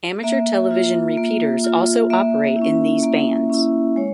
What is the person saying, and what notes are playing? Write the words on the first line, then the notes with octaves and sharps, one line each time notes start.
Amateur television repeaters also operate in these bands.
A#3 E5
F4
A#3
F4
A#3 E5
E4
C#4
A#3
C#4 E4
G#3 C#5